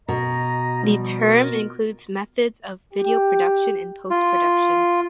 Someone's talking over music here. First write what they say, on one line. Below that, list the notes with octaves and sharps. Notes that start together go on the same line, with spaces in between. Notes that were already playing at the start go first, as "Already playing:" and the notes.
The term includes methods of video production and post-production.
B2 D#5 A#5
F3 G3
B3 F4 A#4
G4
F4